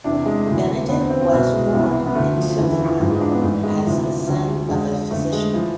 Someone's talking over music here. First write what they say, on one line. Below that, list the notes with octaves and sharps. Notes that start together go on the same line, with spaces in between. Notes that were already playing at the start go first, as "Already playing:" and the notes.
Benedek was born in Sopron as the son of a physician.
E2 C3 E3 D4
G#3
D2 C3 E3 A3
E2 D3 B3
C4
C4
C4
C2 B2 B3
G#3
C2 C3 E3 B3
B3
D2 D3 A3
F3
F3
E2 D3 E3
E3
F3
E3
G#2 E3 F3
G#3
D4
B3
G#2 E3 A3
G#3
D2 C3 E3 F3
D2 D3
F2 D3 G#3
F2 D3 A3
G#3
E3 F3